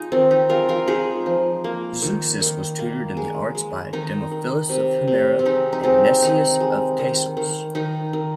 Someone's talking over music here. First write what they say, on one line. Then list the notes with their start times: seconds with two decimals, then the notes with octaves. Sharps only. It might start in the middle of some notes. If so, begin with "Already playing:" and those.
Zeuxis was tutored in the arts by Demophilus of Himera and Neseus of Thasos.
Already playing: D#4 F4 G#4
0.12 D#3 C4
0.31 D#4
0.49 G#3 F4 A#4
0.69 F4 A#4
0.88 G#3 D#4 G#4
1.26 F3
1.64 A#3
2.02 D#3
2.41 D#3
2.79 A#3
3.17 G#3
3.55 G#3
3.93 D#3 D#4
4.31 D#3
4.69 C3
5.08 C3
5.39 C4
5.45 G#3 D#4
5.73 D#4
5.83 G#3 C4
6.22 D#3 D#4
6.60 G#3
6.99 D#3
7.37 D#3
7.75 D#3 D#4
8.13 D#3